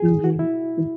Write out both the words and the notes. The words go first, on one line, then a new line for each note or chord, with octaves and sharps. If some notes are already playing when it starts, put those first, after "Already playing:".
Mhm, mm.
Already playing: G#4
F#4
E4